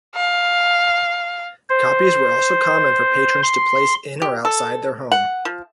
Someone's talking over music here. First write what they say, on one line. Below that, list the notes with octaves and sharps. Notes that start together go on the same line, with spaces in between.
Copies were also common for patrons to place in or outside their home.
F5
C5
C6
G4
A4
F#5
F3